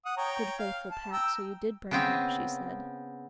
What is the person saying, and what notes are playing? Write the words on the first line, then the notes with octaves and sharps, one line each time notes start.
"Good faithful Pat, so you did bring help," she said.
F#5 D#6
C#5 G5 A#5
F5
A5
G5 A#5 E6
C#3 B3 C4